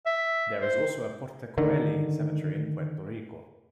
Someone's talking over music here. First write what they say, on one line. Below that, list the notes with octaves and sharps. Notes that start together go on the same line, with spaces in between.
There is also a Porta Coeli cemetery in Puerto Rico.
E5
C5
D3 D#3